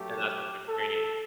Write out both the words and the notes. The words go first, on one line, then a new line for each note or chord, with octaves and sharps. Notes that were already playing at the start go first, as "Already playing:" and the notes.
and that's what you're training.
Already playing: F#2 F#3 A3 G4
A4